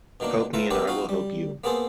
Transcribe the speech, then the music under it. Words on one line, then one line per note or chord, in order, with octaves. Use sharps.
Help me and I will help you.
B2 D#3 A#3 D4
F4 B4 E5 A5 A#5
B3 C4 D4 G4 A#4 B4
C4 D#4 F4 F#4 F5
G3
A#3 B3 G#4 A4 C5